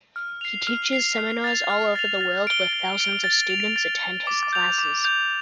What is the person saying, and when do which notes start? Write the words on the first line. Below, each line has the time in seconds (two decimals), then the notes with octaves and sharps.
He teaches seminars all over the world where thousands of students attend his classes.
0.16 F6
0.41 C7 F7
0.67 F6
0.93 C7 F7
1.18 F6
1.44 A6 F7
1.70 F6
1.96 A6 F7
2.21 A6
2.47 D7 G7
2.73 A6
2.98 D7 G7
3.24 A6
3.50 F7
3.76 A6
4.02 F7
4.27 D6
4.53 G6 F7
4.78 D6
5.04 G6 F7